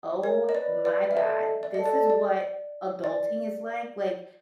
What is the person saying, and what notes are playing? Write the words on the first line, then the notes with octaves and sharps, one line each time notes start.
"Oh, my God, this is what adulting is like." Like,
A#4 C#5
D#5
B4 D5
B4 D5
E5
A4 D#5
D5
A4 D#5
D5
D5
D5